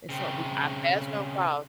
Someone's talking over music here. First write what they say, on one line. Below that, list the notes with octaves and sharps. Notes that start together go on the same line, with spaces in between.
it's what we our paths are gonna cross.
C#3 C4